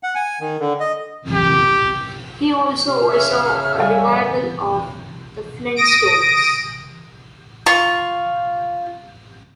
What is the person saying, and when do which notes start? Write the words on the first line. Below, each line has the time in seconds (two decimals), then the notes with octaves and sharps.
He also oversaw a revival of "The Flintstones".
0.03 F#5
0.15 G#5
0.40 D#3
0.60 D3
0.80 D#5
1.33 G4
2.87 C3 F6
3.08 C#3 G#4 C#5 E5
3.80 G3 F5 G#5
5.76 D#6 A#6 D7
7.66 F4 C#6